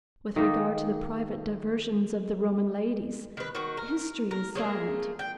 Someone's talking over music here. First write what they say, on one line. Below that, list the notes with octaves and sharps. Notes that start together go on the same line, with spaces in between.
With regard to the private diversions of the Roman ladies, history is silent.
D#3 A#3 D#4
D#3 B4
D#3 F#4
A#4
A#4
A3 A#3 C#4 G#4
G5